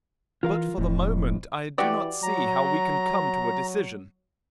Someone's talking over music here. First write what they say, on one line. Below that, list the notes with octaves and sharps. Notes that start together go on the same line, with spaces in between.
But for the moment I do not see how we can come to a decision.
E3 F4 A#4 F5
E1 F2 A2
E3 F#4 G4 D5
F#3 A#5